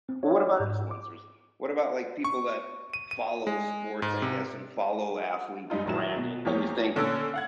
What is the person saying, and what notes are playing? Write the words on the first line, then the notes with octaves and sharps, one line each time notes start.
Well, what about influencers? What about, like, people that follow sports, I guess, and follow athlete branding? Do you think
C4
C#5
G#2
D6
C#6
D#7
D#7
G#3
G#2
C3
F#2 G3 D#4 F4
A#1 D#3 F#3 E4 E7
B2
E2 F3 A#3 G4 C#5
A#2 D3 C#4 A4 E6 D7
F5 F#5 G#6